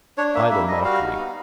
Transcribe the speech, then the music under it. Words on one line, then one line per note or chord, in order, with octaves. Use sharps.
Idle mockery.
D4 C#5
A#3 E5
G3 E5
G3 D#5
F#4 F5
D#4
B3